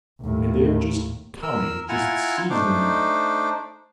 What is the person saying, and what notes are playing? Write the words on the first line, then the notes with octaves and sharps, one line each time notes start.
And they are just coming, just seizing me.
D#2 A2
A#4 E6
E4 F4 F#5 G#5 A#5
A3 D4 D#4 C5 D6